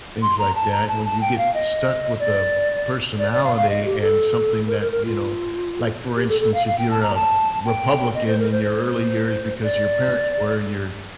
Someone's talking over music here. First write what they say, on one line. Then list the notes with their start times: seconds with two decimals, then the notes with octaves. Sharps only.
things like that. When you get stuck with a personality and something that, you know Like, for instance, if you're a Republican in your early years because your parents were and you're
0.22 C6
0.39 A#5
0.55 A5
0.72 A#5
0.88 A5
1.05 A5
1.21 G5
1.38 F5
1.54 D#5
2.19 D5
3.18 D5
3.31 D5
3.43 F5
3.56 F5
3.69 D#5
3.85 G4
4.01 A4
4.67 A#4
4.80 A#4
4.92 A#4
5.05 F4
6.16 G4
6.28 A4
6.40 A4
6.54 F5
6.66 F5
6.78 G5
6.91 A5
7.02 A#5
7.15 A5
7.65 G5
8.14 D#5
8.27 C5
8.39 A#4
8.51 C5
8.64 C5
9.63 D5